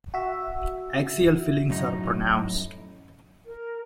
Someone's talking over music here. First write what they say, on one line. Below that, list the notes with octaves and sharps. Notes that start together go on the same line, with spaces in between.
Axial fillings are pronounced.
F#4 E5
F#2 A2 D#4
A#4